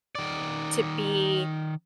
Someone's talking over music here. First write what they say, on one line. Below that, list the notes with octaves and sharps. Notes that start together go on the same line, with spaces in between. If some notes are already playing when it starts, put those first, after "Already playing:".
to be
D#3 D5